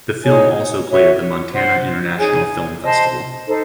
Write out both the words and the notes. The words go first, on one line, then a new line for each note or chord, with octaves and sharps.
The film also played at the Montana International Film Festival.
D#4 G#4 C#5 G#5
F#4 C#5 E5
C5 F#5 C6
D#4 G#4 C#5 G#5
C5 D#5 A5 C6
D#4 A4 C5